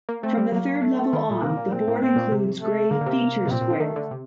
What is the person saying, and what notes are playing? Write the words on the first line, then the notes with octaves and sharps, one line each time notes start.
From the third level on, the board includes gray Feature Squares.
A#3
A3 C4
G3
F#3 A#3
A3
D#3
A#2
C3 A#3
A#2
A#2 C4
A2
A2 C4
A#2
C3
A3
D3 A#3
D3
C3
C3
A#2 C4
A#2
D3
D#3 A3
D3
C3